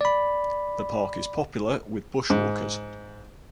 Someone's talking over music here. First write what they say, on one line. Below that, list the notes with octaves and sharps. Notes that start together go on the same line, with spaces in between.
The park is popular with bushwalkers.
D5 B5
G#2